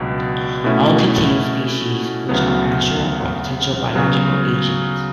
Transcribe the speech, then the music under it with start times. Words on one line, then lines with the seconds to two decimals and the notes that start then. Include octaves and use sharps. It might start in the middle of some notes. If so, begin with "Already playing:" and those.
All contain species which are actual or potential biological agents.
Already playing: C#2 B2 F#3 B3 D4
0.64 B2 A3 C#4 E4
2.29 D2 C#3 F#3 B3
3.95 C#3 F#3 B3 F#4